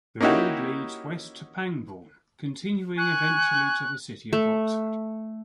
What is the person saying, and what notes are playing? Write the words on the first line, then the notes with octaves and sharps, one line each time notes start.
The road leads west to Pangbourne, continuing eventually to the city of Oxford.
A#3 C#4 D#4 E4 F#4 G4
G#5 C#6 F#6
A3